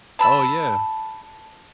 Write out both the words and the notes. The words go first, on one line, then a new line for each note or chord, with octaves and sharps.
Oh, yeah.
A5 B5 E6